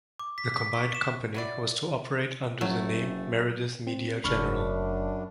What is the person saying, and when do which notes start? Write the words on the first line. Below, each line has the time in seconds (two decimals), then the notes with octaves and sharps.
The combined company was to operate under the name Meredith Media General.
0.19 D6
0.38 B6
0.54 B6
0.74 C#6
0.95 E7
1.34 F#3 E4 D5
2.61 F#1 F#3 A3
3.87 C4
4.24 F#1 F#2 A3 D4 B5 C#6 F6